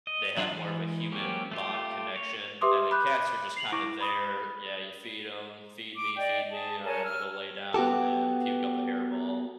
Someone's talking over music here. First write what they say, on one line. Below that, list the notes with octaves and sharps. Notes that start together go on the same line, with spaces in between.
they have more of a human bond connection, and then cats are just kind of there. Yeah, you feed 'em. "Feed me, feed me, alright, I'm gonna go lay down and puke up a hairball."
D#5
F#3 D4 F4
E3 G#3
F#3 A#3 C4 C#4 G4
A3 F4 G4
C#5
G4 B4 E5 C6 D6 D#6
B5 D6 F#6 G6
C7 F7 F#7
E4 C#6 D6 A#6 D7
B5 D#6
D6
D5 D#5 G5
G#4 A5
A#4 C#5 G#5 A5
E6 F6
B3 F#4 G4 A4